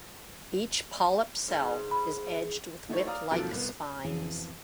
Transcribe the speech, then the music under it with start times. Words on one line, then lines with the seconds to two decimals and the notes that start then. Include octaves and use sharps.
Each polyp cell is edged with whip-like spines.
1.48 G#2
1.91 B5
2.89 A3 D#4 E4 F#4 C5 C#5
3.06 D5 F5 A#5 D#6 F6
3.31 D#2 C3 F3 F#3 A4 D7
3.52 C2 B3
4.05 F2 B2 E3 G#4 A5